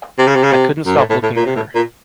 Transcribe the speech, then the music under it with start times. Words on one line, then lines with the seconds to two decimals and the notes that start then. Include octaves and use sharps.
I couldn’t stop looking at her.
0.18 C3
0.27 C#3
0.35 C3
0.43 C#3
0.52 C3
0.86 F#2
0.97 A2
1.10 A2
1.23 A2
1.36 A#2
1.46 C3
1.56 A2
1.75 A#2